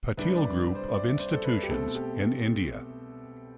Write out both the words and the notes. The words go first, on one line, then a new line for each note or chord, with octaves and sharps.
Patil Group of Institutions in India.
C2 C3 G3 D4 B4
D5
C5
D5
C5
A4
B4
G4
B2 A3 C4 A4
G4